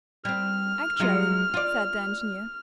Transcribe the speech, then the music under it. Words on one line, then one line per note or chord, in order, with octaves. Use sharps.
'Actually,' said the engineer.
G3 C4 F6
F#3 G#3 F4
F4 D5